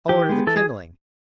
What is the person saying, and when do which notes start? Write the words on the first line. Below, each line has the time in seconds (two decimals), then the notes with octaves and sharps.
I'll order the kindling!
0.09 E3 G4
0.29 G#3 B3
0.47 E3 A4
0.57 G#4